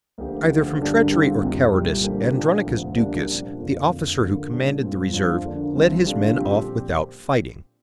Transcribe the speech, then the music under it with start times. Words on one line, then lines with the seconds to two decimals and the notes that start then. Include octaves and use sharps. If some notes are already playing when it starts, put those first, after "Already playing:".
Either from treachery or cowardice Andronicus Ducas, the officer who commanded the reserve, led his men off without fighting.
0.18 D2 D3 F3 A#3 G4
0.50 D2 D3 F3
0.81 G2 D3 A#3 D4 G4
1.11 D3 G3 C4 F4
1.42 F2 C3 A#3 G4
1.73 C2 A#2 G3
2.04 D3 F3 A#3 G4
2.35 A#2 F3 D4
2.66 D2 C3 F3
2.97 C3 G3 A#3 D4 G4
3.28 A#2 F3 D4
3.58 F2 D3 A#3 F4
3.90 F2 D3 F3
4.21 D3 F3 A#3
4.51 A#2 G3 D4 G4
4.82 G2 F3 C4 F4
5.13 F2 F3 D4 F4
5.45 D3 A#3 D4
5.75 C2 C3 F3 C4
6.07 D3 G3 D4 F4
6.37 A#2 F3 C4 G4